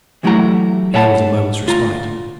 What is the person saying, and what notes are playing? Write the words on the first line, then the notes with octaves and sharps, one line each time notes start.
Here was a moment's respite.
E3 F#3 A3 E4 G4 A#5
C#5 E5 F#5 A5 B5
D2 F4 A#5